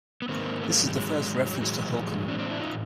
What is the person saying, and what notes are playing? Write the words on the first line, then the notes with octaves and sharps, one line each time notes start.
This is the first reference to Holkham.
B3
G#2 D#3 A#3 C4
A3 B3
G#3 A#3
F#3
G3
F#3 G#3
F#3
G3
A2 E3 F#3 G#3
C4 D4
C4 D4
D4 E4
D#4 F4